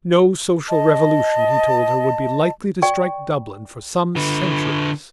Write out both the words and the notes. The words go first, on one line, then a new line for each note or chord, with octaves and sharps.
No social revolution, he told her, would be likely to strike Dublin for some centuries.
D#5 A5
D5 G5 C#6
D3 B4